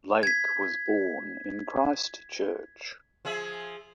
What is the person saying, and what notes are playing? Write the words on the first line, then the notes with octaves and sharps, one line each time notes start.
Lake was born in Christchurch.
G#6 B6
F3 G#4 E5